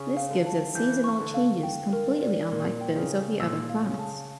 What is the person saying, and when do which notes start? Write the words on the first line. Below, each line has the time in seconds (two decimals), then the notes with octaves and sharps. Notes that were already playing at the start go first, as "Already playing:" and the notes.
This gives it seasonal changes completely unlike those of the other planets.
Already playing: C#3 C#6
0.17 F5
0.30 D3
0.46 A5
0.75 E3 G6
1.04 C#6
1.19 D3
1.34 F5
1.63 G5
1.93 A#4
2.22 D5
2.51 A#2 A#4
2.81 G5
2.96 C#3
3.11 A#4
3.40 A#2 E6
3.69 F5
3.83 C#3
3.99 A5